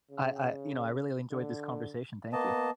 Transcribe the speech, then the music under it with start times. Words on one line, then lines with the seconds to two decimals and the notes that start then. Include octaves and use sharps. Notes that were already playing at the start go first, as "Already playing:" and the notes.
I I, you know, I really enjoyed this conversation, thank you.
0.11 C#3
1.32 D3
2.33 A#3 B3 D#5 A5